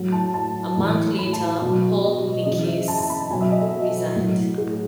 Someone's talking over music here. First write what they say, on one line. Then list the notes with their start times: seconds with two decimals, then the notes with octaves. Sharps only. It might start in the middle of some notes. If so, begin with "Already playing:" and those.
A month later, Paul Mckess resigned.
Already playing: A2 F#3
0.12 A5
0.34 A5
0.77 A2 E3
1.19 B5
1.33 A5
1.61 B2 F#3
2.04 D#5
2.45 C#3 D#5
2.51 E3
2.67 E5
2.88 A5
2.98 A5
3.10 B5
3.20 A5
3.30 B2 G#5
3.33 F#3
3.41 E5
3.52 D#5
3.62 A4
4.15 A2 F#3
4.58 G#4